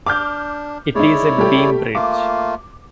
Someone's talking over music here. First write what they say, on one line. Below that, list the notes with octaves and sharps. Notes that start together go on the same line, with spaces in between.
It is a beam bridge.
D4 D6 F6 G6
G#3 D#4 E4 C#5 D5
G3 A3 G4
A3 A#3 F4 D6